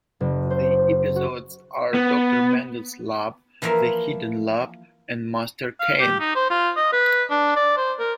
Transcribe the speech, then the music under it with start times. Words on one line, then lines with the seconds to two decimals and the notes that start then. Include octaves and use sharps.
The episodes are "Dr. Mangle's Lab", "The Hidden Lab" and "Master Cain".
0.21 F#1
0.50 C5
1.16 F#4
1.94 B3
3.62 E3 F3 A#3 A#4 E5
5.80 F5
6.00 G4
6.20 D#4
6.36 C5
6.50 F4
6.77 D#5
6.93 B4
7.30 D4
7.56 D5
7.77 C5
7.99 A#4